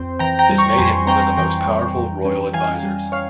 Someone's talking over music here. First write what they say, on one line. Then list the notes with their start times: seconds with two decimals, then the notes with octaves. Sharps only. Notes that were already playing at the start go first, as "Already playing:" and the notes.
This made him one of the most powerful royal advisers.
Already playing: F2 C4 C5
0.19 E3 G5 A#5
0.39 G5 A#5
0.49 G3
0.58 A#5 C#6
0.78 F2 G#5 C6
1.07 C4 G5 A#5
1.37 E3 G5 A#5
1.66 G3
1.96 F2
2.25 C#4
2.54 E3 F5 G#5
2.83 G3
3.12 C#5 F5